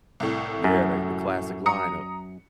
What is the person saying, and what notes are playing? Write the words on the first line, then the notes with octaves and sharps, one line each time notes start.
Yeah, they the classic line of
C2 A2
F#2
A#5 D#6 C#7